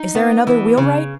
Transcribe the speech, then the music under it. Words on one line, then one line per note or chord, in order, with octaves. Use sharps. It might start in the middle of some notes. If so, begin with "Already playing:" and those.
"Is there another wheelwright?"
Already playing: D#4
B3
E3
C#3